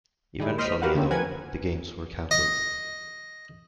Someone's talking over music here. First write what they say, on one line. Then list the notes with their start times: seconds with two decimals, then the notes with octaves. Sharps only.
Eventually, though, the Games were canceled.
0.39 D#3 G3 G#3 E4
0.58 D#2 C5 D#5 F6 B6
0.82 F#4 G4 A#4 B4 F5 F#5
0.95 D3 A#3 C4 C#4
1.11 F3 A#4 B4 F#5 G#5 G#6
2.31 D#5